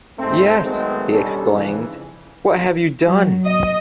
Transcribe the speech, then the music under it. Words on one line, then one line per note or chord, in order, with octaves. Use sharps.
"Yes," he exclaimed, "what have you done?"
C2 G#2 A3 C4
D#3 F#3 G#3 A3 B3 C4
B2 D#3 G3 C#4 D4 A4
F2 G#2 C#3 E3
F#3
D#5